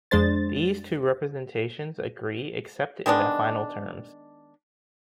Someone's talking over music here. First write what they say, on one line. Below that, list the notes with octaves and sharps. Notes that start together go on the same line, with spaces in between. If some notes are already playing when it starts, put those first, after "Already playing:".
These two representations agree except in their final terms.
F2 G#3 D4 C5 A6
D#3 G#3 B3 D4